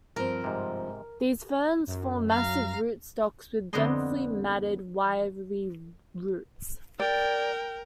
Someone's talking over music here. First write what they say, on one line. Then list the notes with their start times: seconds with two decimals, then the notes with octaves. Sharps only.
These ferns form massive rootstocks with densely matted, wiry roots.
0.16 G2 F3 C4 A#4
0.44 G#2 C3
1.87 F#2
2.30 F5 A#5
3.73 F2 D3 B3 C5 D#5 C6
7.00 A#4 D5 G5